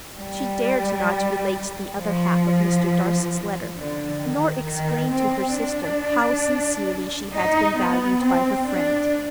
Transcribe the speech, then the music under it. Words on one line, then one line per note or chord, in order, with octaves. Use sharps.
She dared not relate the other half of Mr. Darcy's letter, nor explain to her sister how sincerely she had been valued by her friend.
G3
F3
D3
D#3
D#3
C4
D4
D#4
B3
C4
D4